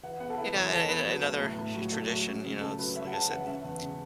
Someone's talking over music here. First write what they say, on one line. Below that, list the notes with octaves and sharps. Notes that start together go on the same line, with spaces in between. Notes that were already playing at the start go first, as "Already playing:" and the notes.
yeah, a a another tr tradition, you know, it's like I said, m m
E3 F#5
B3 F#5
A4
E4 B4
E2 C#5
E3 A4
B3 B4
F#3
A3
A2
A2
F#3
A3
F#3
C#4
C#3
C#3 A4
F#3 B4
C#4 E5
F#5
C#3 A5
E3 F#5
C#4 E5
E2
C#3